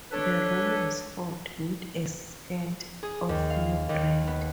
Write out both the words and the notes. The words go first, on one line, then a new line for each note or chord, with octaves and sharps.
The room was hot, with a scent of new bread.
D4 A4 B4 C#5
G#4
D#2
F5
D#2
B3